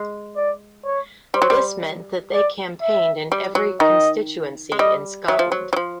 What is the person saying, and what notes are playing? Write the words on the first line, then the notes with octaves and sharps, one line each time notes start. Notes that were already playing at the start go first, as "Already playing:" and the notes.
This meant that they campaigned in every constituency in Scotland.
Already playing: G#3
D5
C#5
G3 C5
F#3
G3
D5
E5
G3
F#3
D#3 D#5
G#3
G3 D#5
F#3 E5
F3
F#3
F#3
F3